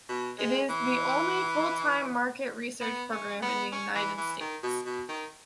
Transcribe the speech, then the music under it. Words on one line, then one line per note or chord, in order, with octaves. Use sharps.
It is the only full-time market research program in the United States.
B2
G#3
E3
B3
C#4
B3
C#4
E3
E3
D#3
B2
B2
D#3